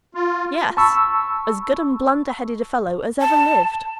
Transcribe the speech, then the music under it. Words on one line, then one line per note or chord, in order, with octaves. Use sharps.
"Yes; as good and blunder-headed a fellow as ever lived."
F4
A5 B5 C#6 E6
A5